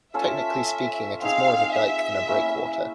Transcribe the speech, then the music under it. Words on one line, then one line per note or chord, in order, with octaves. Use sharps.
Technically speaking, it is more of a dike than a breakwater.
C#4 F4 A4 C#5 E5
C4 D#4 G#4 F5
E5
A#3 C#4 E4